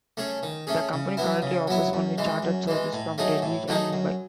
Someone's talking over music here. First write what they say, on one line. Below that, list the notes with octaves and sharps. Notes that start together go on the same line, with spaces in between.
The company currently offers only charter service from Delhi and Mumbai.
A3 C#4 G#4
D#3
A3 C#4 G#4
C#3
F#3 B3 E4
C#3
F#3 B3 E4
F#2
E3 G#3
F#2
E3 G#3
A2
F#3 A3 D#4 G#4
A2
F#3 A3 D#4 G#4
F#2